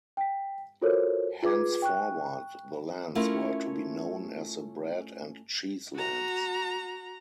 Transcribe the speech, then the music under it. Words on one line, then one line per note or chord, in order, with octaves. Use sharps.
Henceforward, the lands were to be known as the Bread and Cheese Lands.
G5 B6
F4 F#4 A4 A#4 C5 C#5
F4 G#4 B4 D6 G#6
G5 C#6 F#6
A3 C#4 E4 F4 A#4
F#4 A#5